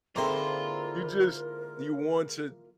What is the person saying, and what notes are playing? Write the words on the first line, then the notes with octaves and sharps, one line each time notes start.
you just, you want to
G#2 D3 A#3 C4 E4 F4 A#4 C6